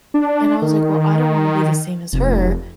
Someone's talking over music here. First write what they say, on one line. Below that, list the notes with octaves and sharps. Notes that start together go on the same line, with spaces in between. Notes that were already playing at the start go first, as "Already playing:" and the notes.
and I was like, "Well, I don't wanna be the same as her,
D4
D#3
F1